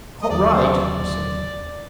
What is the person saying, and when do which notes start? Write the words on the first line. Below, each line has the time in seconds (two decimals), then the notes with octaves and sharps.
"All right," he said.
0.22 D#5
0.30 D#2 D3 F#3 D5
0.53 C5
0.77 D5